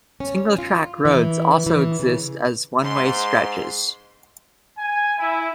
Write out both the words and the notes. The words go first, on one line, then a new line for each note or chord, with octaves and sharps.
Single-track roads also exist as one-way stretches.
C#4
F4
E3
E3
C#3
G#2 C6
G#5
E4